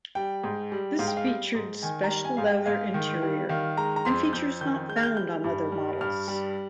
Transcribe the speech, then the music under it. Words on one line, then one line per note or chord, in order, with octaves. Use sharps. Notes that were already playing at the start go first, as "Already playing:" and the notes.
This featured special leather interior and features not found on other models.
G3 G5
G#2
G3
G#2 F5
G5
F5
G3
G#2
D#3 G#5
A#5
G3
G#5
G#2 F5
G5
G#2 F5
D#3
G3
D#3 F5
G#3 A#5
A#5
F2 C6
F2 G6
D#3 G6
G#3 G6
F6
G6
G3 G6
G2
G3
G2 F6
G3